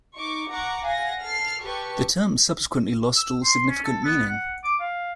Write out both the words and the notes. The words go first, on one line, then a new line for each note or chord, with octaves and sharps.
The term subsequently lost all significant meaning.
D#4 C#6 D6
F#5 A#5 C#6 D6
F5 F#5 G#5 A#6
A4 F6 C7
G4 A4 B4 C#6
E6
C6
C#4
A4
B3
F#5
D6
F5